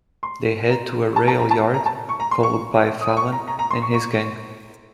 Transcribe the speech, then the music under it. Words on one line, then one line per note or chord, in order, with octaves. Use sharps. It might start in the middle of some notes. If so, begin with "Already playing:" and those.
They head to a railyard, followed by Fallon and his gang.
C6
A#5
A5
A5
A#5
A5
A#5
A5
C#6
A#5
C6
C#6
D#6
C#6
A#5
A#5
A#5
C6
C#6
C#6